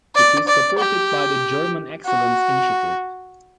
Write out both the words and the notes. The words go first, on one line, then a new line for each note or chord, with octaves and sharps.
It is supported by the German Excellence Initiative.
D5
D5
G4
F#4